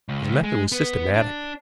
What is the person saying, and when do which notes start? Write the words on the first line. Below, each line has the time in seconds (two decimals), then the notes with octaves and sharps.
His method was systematic.
0.09 C#2
0.24 C#2
0.44 G#3
0.72 B3
1.14 D4